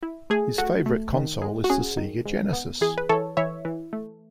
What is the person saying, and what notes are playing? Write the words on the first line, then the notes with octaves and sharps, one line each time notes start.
His favorite console is the Sega Genesis.
E4
A3 G#4
A3 F#4
A3
D#3
G#3
F#4
C#4 G#4
D#3
G#2
B3
E3 G#4
B4
E3 A4 C#5
E3 C#5 E5
E3
A3